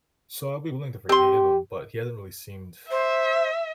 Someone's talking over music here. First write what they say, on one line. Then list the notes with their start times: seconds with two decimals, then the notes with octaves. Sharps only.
So I'll be willing to forgive him, but he hasn't really seemed,
1.09 C4 G4 C6
2.91 C5 E5